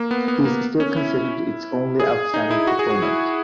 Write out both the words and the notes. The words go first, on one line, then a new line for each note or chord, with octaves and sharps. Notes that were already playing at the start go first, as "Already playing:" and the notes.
He is still considered its only outstanding proponent.
Already playing: A#3
B3
B3
A#3
C#4
E4
G#4
D#4
E4
F#4
G#4
F#4
E4